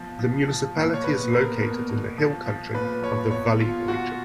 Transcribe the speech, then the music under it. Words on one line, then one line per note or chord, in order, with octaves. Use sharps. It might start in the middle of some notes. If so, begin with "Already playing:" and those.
The municipality is located in the hill country of the Vully region.
Already playing: B2 F3
F3
F3
A#2
C#5
B2 B4
B2 A#4
B2
B2
F3
F3
A#2 B4
F3 C#5
B2 C#5
B2 F4
B2 F#4